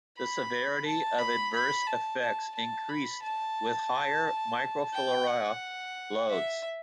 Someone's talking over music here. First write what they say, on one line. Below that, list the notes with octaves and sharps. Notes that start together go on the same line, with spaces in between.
The severity of adverse effects increased with higher microfilarial loads.
B5
A5
B5
B5
A5
A5
A5
B5
A5
G5
F#5
E5